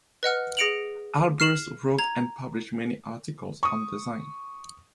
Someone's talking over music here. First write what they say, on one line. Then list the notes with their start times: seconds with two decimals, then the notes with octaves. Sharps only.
Albers wrote and published many articles on design.
0.23 B4 D#5 F#5 F6
0.57 G#4 A#6 C#7 D7 F7 F#7
1.40 F6 C7 E7 F#7
1.99 A#5 G#6
3.63 C#6 D#6